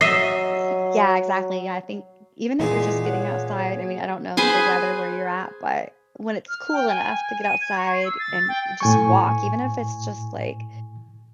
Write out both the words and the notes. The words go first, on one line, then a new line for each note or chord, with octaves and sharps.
Y yeah, exactly. I think even if you're just getting outside, I mean, I don't know the weather where you're at, but when it's cool enough to get outside and just walk, even if it's just, like,
F#3 D#5 E5 C7
A#2 E3 G#3 B3 G#4
C#5 F#5
G#4 B4 C5 G#5
F6
G5
G#5
G#5
D#7
G#6
C#6
C7
E6
A6
G5
A2 G#5 C#6